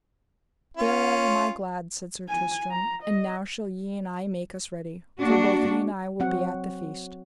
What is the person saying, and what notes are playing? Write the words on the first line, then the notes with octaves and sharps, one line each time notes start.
Thereof am I glad, said Sir Tristram, and now shall ye and I make us ready, for both ye and I will be at the feast.
C#4 F4
G#5
A#5
D#5
A#3 D4 F#4
F#3 C4 F#4 F#5